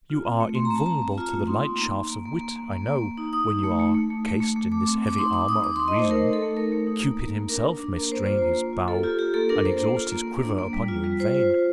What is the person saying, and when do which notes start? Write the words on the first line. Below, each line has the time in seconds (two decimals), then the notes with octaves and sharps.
You are invulnerable to the light shafts of wit, I know, when you are cased in this heavy armour of reason; Cupid himself may strain his bow, and exhaust his quiver upon you in vain.
0.10 F4
0.24 C4
0.40 A3
0.55 A3 C6
0.65 A#5
0.71 C4
0.76 A5
0.86 C4 A#5
1.02 C4
1.18 F4
1.32 A3
1.47 D#4 C6
1.63 A#3
1.79 A#3
1.94 A#3
2.09 A#3
2.25 A#3
2.41 A#3
2.56 A#3
2.71 A#3
2.87 A#3
3.02 A#3
3.17 D#4
3.33 D#4 D#6
3.49 D#4
3.64 A3
3.79 A3
3.95 A3
4.10 A3
4.26 A3
4.41 A3
4.56 A3
4.72 A3 D6
4.87 C4
5.03 A3 D6
5.18 D#4 C6
5.33 D#4 D6
5.49 D#4 D#6
5.64 D#4 D6
5.76 C6
5.80 D#4
5.88 D#5
5.95 A3 C5
6.11 D#4 A#4
6.27 D#4
6.33 A4
6.42 A3
6.57 A3 A#4
6.72 A3
6.87 D#4
7.03 A#3
7.19 A#3
7.33 A#3
7.49 D4 A#4
7.65 D4
7.80 D4
7.96 A#3 A#4
8.12 A#3 C5
8.26 F4 C5
8.42 A#3
8.57 A#3
8.73 F4
8.88 A#3 A4
9.03 F4 G4
9.19 F4 G4
9.34 A#3 A4
9.49 D4 A#4
9.65 A#3 C5
9.80 A#3
9.97 F4
10.12 A#3
10.28 A#3
10.43 D4
10.58 A#3
10.73 G3
10.88 F4
11.04 G3
11.20 F4 C5
11.35 F4
11.50 F4